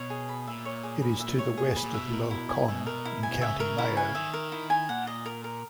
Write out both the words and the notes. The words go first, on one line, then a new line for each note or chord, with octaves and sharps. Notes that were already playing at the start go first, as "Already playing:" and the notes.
It is to the west of Lough Conn in County Mayo.
Already playing: B2 C#5
G#4
B5
A#2 E5
C#5
G#4
B5
E5
C#5
G#4
B5
A#2
B2 E5
A#4
E4
G#5
B2 E5
A#4
E4
G#5
C#3 E5
A#4
E4
G#5
D#3 E5
A#4
E4
G#5
A#2 F#5
D#5
A#4
A#4